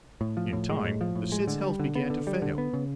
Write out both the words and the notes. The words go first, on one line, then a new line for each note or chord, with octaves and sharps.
In time the Cid's health began to fail.
A2
F3
A2
G#3
A2
F3
A2
G#3
D3
G3
D3
B3
D3
G3
D3
B3
C#3